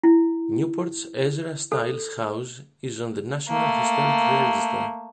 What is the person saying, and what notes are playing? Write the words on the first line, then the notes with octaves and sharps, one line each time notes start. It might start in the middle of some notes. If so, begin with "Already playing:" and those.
Newport's Ezra Stiles House is on the National Historic Register.
E4
A4
A3 A#3